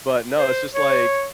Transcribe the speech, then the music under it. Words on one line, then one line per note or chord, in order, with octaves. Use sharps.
But, no, it's just, like,
C5
C#5